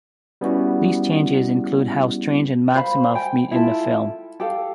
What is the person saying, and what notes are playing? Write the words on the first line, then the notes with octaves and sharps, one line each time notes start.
These changes include how Strange and Maximoff meet in the film.
G3 B3 C#4 E4 F#4
C5 F5 B5
G5 G#5
E4 F4 A4
G4 A4 F5